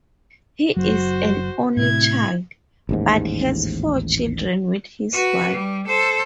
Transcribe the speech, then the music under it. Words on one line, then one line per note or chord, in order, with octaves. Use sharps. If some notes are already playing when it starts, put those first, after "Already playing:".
He is an only child, but has four children with his wife.
F#1 F#3 F#4 C5
A2 C3 E4 G#6
A1 D#2 G#2
F#4 B4
G3
A4 C5